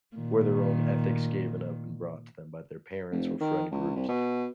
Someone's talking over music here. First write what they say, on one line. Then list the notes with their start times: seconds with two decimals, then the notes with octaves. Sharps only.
or their own ethics given up and brought to them by their parents or friend groups,
0.17 A#2 D#3
3.11 F1
3.41 D#3
3.71 C#2
3.96 C2
4.09 B2